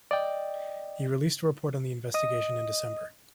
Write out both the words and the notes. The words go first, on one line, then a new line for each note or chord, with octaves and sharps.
He released a report on the investigation in December.
D5 D#5 G5
D#5 D#6